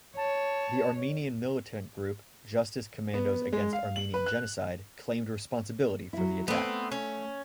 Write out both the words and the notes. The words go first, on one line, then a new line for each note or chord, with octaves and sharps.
The Armenian militant group, Justice Commandos Against Armenian Genocide, claimed responsibility for the attack.
C#5 A5
B3
G#3
F5
F#7
B4
F#6
F#3 E4
A3 B3 C4 D5
C#4